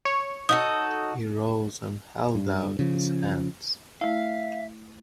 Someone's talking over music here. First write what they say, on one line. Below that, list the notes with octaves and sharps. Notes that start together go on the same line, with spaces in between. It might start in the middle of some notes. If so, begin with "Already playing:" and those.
He rose and held out his hands.
C#5
D#4 F#4 A4 D#6
G2
C#3 F3
A3 E4 E5 F5